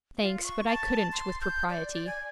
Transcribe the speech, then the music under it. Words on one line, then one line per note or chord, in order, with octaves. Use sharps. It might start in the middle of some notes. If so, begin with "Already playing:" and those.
'Thanks, but I couldn't with propriety.
F4
C#6
A5
C6
G6
D5
D5
G#5